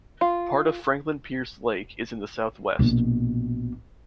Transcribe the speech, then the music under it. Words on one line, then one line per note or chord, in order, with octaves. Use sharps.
Part of Franklin Pierce Lake is in the southwest.
F4
A#1 B2